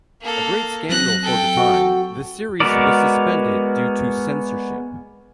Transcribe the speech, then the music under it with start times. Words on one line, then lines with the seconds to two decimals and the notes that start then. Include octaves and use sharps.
A great scandal for the time, the series was suspended due to censorship.
0.22 A#3 A4
0.90 F#3 C4 F#6 A#6
1.23 A4 G5
1.57 F#4
2.60 G#3 B3 F#4 A#4 D5